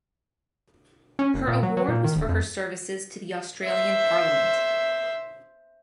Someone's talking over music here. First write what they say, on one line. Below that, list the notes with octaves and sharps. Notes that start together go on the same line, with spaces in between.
Her award was for her services to the Australian Parliament.
C#4
F#1
A#2
F#3
F#3
A#2
D#3
D1
F2
C5 E5